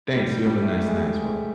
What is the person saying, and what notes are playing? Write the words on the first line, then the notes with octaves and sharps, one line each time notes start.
Thanks, you have a nice night as well.
G3
G3
G3
A3
A3
G#3
G3
G#3